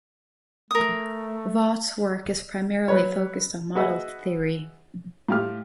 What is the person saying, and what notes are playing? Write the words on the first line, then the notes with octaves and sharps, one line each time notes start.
Vaught's work is primarily focused on model theory.
A3 A#4 D#6
F#3 B4 C#5
F#4 G#4 B4 D#5 E5 F#5
A2 F4 G4 F6